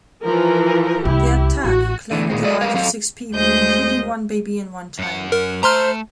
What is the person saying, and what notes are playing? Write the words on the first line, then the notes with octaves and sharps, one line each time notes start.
The attack claimed the lives of six people, including one baby and one child.
E3 F3 A#4
C2 E4 G4
A1 F#4
D3 E3 A3 B3
A#2 D#3 G#3 C4
F#3 A3 A4 D5 D#5
G3 G#3 A#4 B4 F5
F#3 C4 A4 F5
D2 G#3 C5 D#5 G6
F#2 F#5
A#4
A3 C5 A#5 C6 F6